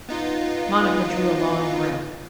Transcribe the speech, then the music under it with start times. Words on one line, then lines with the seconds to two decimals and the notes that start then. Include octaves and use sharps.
Monica drew a long breath.
0.09 B3 D#4 F4